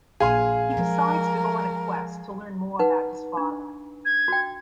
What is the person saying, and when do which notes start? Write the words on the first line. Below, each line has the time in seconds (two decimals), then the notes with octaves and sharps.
He decides to go on a quest to learn more about his father.
0.20 A#1 G#4 F5 G#5 C6
0.77 F3 G#3 A#4
2.79 D#4 B4 F#5
3.37 D4
4.05 G#6
4.28 F#4 G5